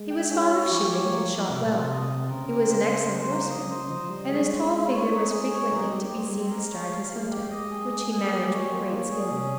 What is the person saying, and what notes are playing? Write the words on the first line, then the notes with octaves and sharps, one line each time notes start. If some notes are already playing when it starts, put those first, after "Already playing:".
He was fond of shooting and shot well; he was an excellent horseman and his tall figure was frequently to be seen astride his hunter, which he managed with great skill.
Already playing: G#3
G5
G#3 C#4
C#5
F3 G4
C#5
A#3
A#3
C3 A#3
A#2
C3 F4
D#5
C4
C#3 A#4
C4
C5
C5
C5
A#3
D#5
C5
F3 D#5
G3 D#5
G#3 C#4
F4
F4
C#5
D#4
G#4
C#5
D#4
G3 G4
G3 C4
G3
G#3 C4
A#4
C#5
F5
G#3 F5
G4
D#5
G#4
G#4
G#4
A#3 G4
G#3
C#5
G3
A#3 C4
C#5
G#3 G#4
C3 C#4